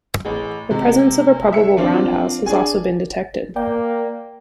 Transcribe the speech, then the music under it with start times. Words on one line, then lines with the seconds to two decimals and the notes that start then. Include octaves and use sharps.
The presence of a probable roundhouse has also been detected.
0.25 A1 G#4
0.70 C3 G#3
1.53 E5 C#7
1.77 F3 C4 D4 F4
2.46 D4 G#4 G#5
3.56 A#3 D5 G5